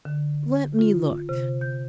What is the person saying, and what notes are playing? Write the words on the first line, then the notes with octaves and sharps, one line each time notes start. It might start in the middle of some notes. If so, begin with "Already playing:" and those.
"Let me look."
D3
F4
C3
G6